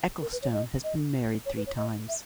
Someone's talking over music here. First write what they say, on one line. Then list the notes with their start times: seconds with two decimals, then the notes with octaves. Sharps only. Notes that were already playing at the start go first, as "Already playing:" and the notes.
Ecclestone has been married three times.
0.22 A#4
0.32 B4
0.42 C#5
0.53 D#5
0.84 D#5
1.46 C#5
1.57 B4
1.67 C#5
1.76 D#5
2.08 E5